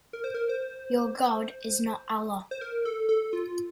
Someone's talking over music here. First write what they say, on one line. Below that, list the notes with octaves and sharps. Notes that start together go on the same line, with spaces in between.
Your God is not Allah.
A#4
C5
A#4
C5
C5
A#4
A4
A4
F4